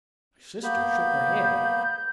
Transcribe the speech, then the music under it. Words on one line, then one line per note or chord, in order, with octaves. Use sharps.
My sister shook her head.
A#3 B3 B5 G6